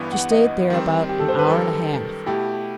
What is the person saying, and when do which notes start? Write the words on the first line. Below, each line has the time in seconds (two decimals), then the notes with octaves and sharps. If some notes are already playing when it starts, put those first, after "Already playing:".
She stayed there about an hour and a half.
Already playing: G1 G2 E3 B3
0.12 F#5
0.31 D#5
0.70 D#3 G3 C4
1.09 G4
1.19 A4
1.28 C5
1.39 B4
1.48 F#2 D#3 G3 A4
2.26 B2 A3 E4 G4